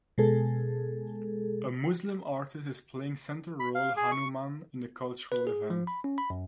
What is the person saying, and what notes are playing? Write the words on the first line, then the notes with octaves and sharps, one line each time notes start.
A Muslim artist is playing central role Hanuman in the cultural event.
B2 G#3 G#4 A4
B5
F5
G#4
C#6
B4
G#4
F3
B5
C#4
B5
F#2